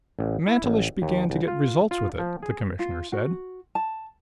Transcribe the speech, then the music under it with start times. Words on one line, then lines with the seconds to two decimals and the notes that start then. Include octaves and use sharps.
"Mantelish began to get results with it," the Commissioner said.
0.19 A1
0.47 E4
0.64 A1
1.02 D#2
1.30 C2
1.48 F4
1.91 F4
2.19 F3
2.43 G#4
2.79 F4
3.12 F#4
3.75 A5